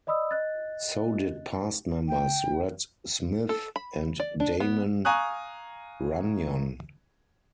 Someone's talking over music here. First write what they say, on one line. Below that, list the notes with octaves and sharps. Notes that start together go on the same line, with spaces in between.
So did past members Red Smith and Damon Runyon.
D5 D#5 B5 D#6 E6
D#5 F#6 A6
G5
A4
B5
D5
D4
B3
F5 G#5 A#5 C#6 D#6 F#6